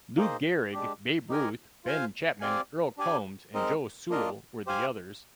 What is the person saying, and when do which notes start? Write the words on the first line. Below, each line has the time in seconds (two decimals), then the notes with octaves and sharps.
Lou Gehrig, Babe Ruth, Ben Chapman, Earle Combs and Joe Sewell were the others.
0.17 A#3 D#4 G#4 C5 D#5
0.73 G#3 D4 G4
1.29 D#4 G4 A#4 D#5 G#5
1.85 F4 C5 F5 G#5
2.41 C4 G4 D5 F5 G#5
2.97 D4 G4 D5 G#5
3.54 G#3 C4 D#4 A#4 D#5
4.10 A#3 D4 F4 A#4 D#5
4.66 G4 C5 F5 G#5